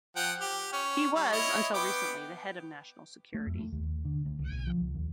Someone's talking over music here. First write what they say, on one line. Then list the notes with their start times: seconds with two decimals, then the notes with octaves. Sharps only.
He was, until recently, the head of national security.
0.16 F3 F#5 G5
0.41 G4
0.73 C#4
1.15 G3
1.33 E4 C#5 D#5
1.74 B3 G5 D6
3.34 A3
3.47 F2
3.59 A3
3.72 D#2
4.05 D3
4.25 D2
4.39 C#2
4.51 B1
4.67 F3
4.81 C#2
4.95 D#2